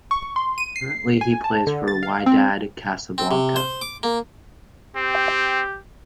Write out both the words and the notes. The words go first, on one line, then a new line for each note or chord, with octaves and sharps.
Currently he plays for Wydad Casablanca.
C#6
C6
D#7
C7
G#5
A5
D3
A6
F5
C4
C4
C3
C5
D6
A#3
C4 G4